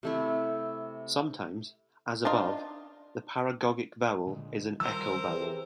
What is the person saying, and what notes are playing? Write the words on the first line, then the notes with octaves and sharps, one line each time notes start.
Sometimes, as above, the paragogic vowel is an echo vowel.
C3 A3 E4
D4 D#4 F4
A#2 D3 G#3
D#3 F3 G3 A#4 C5 E6
E2 C3 E3